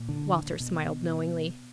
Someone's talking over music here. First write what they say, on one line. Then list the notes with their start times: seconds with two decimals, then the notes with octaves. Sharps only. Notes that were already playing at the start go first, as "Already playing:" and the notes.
Walter smiled knowingly.
Already playing: A#2
0.09 D3
0.60 B2